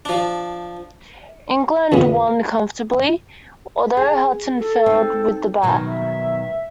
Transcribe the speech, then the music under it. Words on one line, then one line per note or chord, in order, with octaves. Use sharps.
England won comfortably, although Hutton failed with the bat.
F3 D4
E2 A#2 D3 B3
G#4
A4
C4 D#4
B2 D#3 F#3
E5